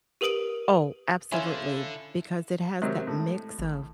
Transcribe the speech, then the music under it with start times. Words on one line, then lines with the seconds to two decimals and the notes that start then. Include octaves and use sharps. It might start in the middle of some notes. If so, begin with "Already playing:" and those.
Oh, absolutely, because it has that mix of
0.21 G4 A#4 B4 D#6 D7 F#7
1.32 D3 C#4 E4 F4
2.82 C3 D#3 F#3 G#3
3.07 A2
3.59 G#1